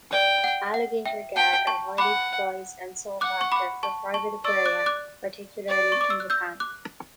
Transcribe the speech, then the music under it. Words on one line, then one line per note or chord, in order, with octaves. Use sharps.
Alligator gar are highly prized and sought after for private aquaria, particularly in Japan.
D5 G5
F#5
F#5
E5 G5
F#5 G5 A5
A5 C#6
F#5 B5 D6
F#5 D6 F#6
C#6
B5 D6
A5 C#6
A5 C#6
D5 C#6 E6
D6 F#6
D6 F#6
D5
C#6
D6
E6
F#6
E6 G6
D6 F#6